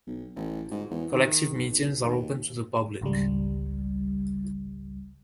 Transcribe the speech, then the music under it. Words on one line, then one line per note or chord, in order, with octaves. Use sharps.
Collective meetings are open to the public.
B1
A1
G#2
E2
D#3
B1
D#2
G#1 C#2 G3